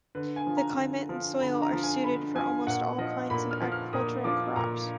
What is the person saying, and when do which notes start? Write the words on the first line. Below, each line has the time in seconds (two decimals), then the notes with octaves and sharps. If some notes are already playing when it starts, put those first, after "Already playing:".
The climate and soil are suited for almost all kinds of agricultural crops.
0.15 D3 B4
0.36 G#5
0.47 F3
0.57 A#5
0.78 D3
1.09 F3
1.41 D3 B5
1.62 A#5
1.73 F3
1.83 G#5
2.04 D3 B5
2.36 F3 G#5
2.67 A#2 F#5
2.98 F3 D#5
3.30 A#2 B5
3.51 F6
3.62 F3
3.72 F6
3.93 A#2 D#6
4.24 F3 D6
4.56 A#2 A#5